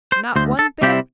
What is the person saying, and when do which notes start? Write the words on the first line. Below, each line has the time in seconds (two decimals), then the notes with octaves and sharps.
Not one bit?
0.12 C5
0.36 D2 C5
0.59 A4
0.82 C3 G3 C4 E4 G4